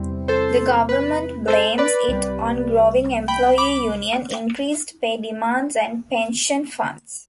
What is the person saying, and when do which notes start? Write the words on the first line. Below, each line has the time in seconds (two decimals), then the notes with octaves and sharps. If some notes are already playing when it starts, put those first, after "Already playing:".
The government blames it on growing employee union increased pay demands and pension funds.
Already playing: E2 C3 G3 C4 E4
0.28 A4 C5
0.89 B4
1.48 A4 C5
1.78 B4 D5
2.08 C2 C3 G3
3.28 G5 B5
3.58 B5 D6